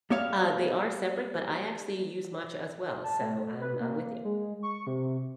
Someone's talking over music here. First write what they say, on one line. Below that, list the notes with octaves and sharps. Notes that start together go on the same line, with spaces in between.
Uh, they are separate, but I actually use matcha, as well, so I'm I'm with ya.
G3 A#3 B3 C#5 E5 F5
A5
A3
B4
A#3
G#3
C#6
C3